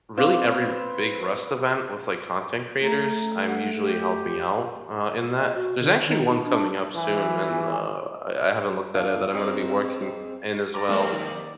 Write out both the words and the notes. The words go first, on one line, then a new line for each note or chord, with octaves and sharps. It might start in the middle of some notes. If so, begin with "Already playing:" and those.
really every big Rust event with, like, content creators, I'm usually helping out, uh, in that there's actually one coming up soon and, uh, I I haven't looked at it, that I'm gonna be working in, as well.
C4 B4 F5 D6
A3 A#5
F#5
G4
D#5
F#4
D3
D#3
D#4
D4
E3
D4 F5 G#6
G#2 C4 G#4 D#5 G5 D#6
A#5 D6 A6
F2 C3 G#3 A#3 C4
D#3 D5